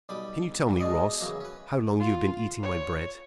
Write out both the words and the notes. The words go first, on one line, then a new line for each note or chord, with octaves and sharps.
"Can you tell me, Ross, how long you have been eating my bread?"
B1 G3 G5 B5 D6 D#6
G2 E3
B2 G#3 A3 D5 D#5 D#6
C#3 E3 F#3 A#3
C#4 B4
F4
C#5